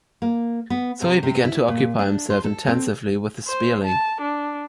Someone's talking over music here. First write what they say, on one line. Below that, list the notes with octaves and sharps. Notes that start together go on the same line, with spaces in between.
So he began to occupy himself intensively with the Speierling.
A#3
B3
C3
C3
E4
A#2
D4
C5
A4
C4
C5
A5
D4